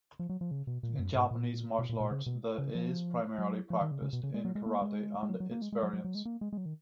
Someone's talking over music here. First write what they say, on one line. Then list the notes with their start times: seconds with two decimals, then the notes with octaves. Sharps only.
In Japanese martial arts, the is primarily practiced in karate and its variants.
0.19 F3
0.29 F#3
0.41 F3
0.51 C#3
0.67 B2
0.83 A#2
0.99 F#2
1.15 G#2
1.31 A#2
1.79 B2
1.89 A#2
2.00 A#2
2.11 C#3
2.26 B2
2.58 C#3
2.75 F3
3.38 F#3
3.70 F3
3.81 D#3
3.91 C#3
4.02 C#3
4.13 B2
4.23 C#3
4.34 G#3
4.45 F#3
4.55 G#3
4.66 A#3
4.82 G#3
5.23 G#3
5.30 F#3
5.40 F#3
5.51 A#3
5.62 G#3
5.72 G#3
5.83 F#3
5.93 F#3
6.04 F#3
6.15 G#3
6.25 A#3
6.41 G#3
6.53 G#3
6.58 F#3
6.66 D#3